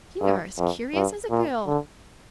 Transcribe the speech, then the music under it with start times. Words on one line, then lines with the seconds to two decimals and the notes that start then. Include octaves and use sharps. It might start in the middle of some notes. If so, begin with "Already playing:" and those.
'You are as curious as a girl.
0.22 G2
0.58 F2
0.94 G2
1.31 A#2
1.66 D3